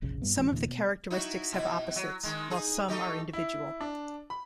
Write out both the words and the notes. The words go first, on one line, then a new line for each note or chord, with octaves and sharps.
Some of the characteristics have opposites, while some are individual.
F1 A#1 C#3
G2 G3 B3
A1 B2 E3 G#3
D#2 A#2 D3 E3
B2
D#4 E4 F#4
B2 E4
F#3
D#3 G#3
D#4 G#4
A3 D#4 G4
E4
D4
B5